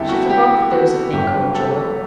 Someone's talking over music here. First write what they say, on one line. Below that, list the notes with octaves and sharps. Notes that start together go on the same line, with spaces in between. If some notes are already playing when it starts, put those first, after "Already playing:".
She forgot that there was a thing called joy.
Already playing: F#1 E2 D3 G3 C4 E4 G4 A4
F#4
G4
F#4
G1 G2 F#3 A3 G4
B4
A4
A4